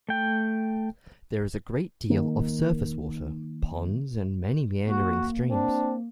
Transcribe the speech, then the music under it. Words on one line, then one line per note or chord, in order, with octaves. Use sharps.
There is a great deal of surface water: ponds and many meandering streams.
A3 G5
D#3 A#3
A#3 F#4
C4 D4